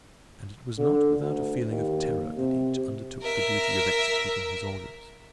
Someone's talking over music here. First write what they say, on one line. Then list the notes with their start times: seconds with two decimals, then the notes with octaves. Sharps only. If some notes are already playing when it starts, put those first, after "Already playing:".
And it was not without a feeling of terror that each undertook the duty of executing his orders.
0.78 D3
1.21 D2
1.71 D#2
2.38 C3
3.23 A#4 E5